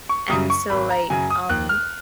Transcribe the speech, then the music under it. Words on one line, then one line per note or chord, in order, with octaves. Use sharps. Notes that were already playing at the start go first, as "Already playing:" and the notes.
and so, like, um
C#6
F#2 C#3 F#3 D#6
C#6
G#1 B5
A#5
F#2 C#3 F#3 G#5
D#6
D#2 F#6
F6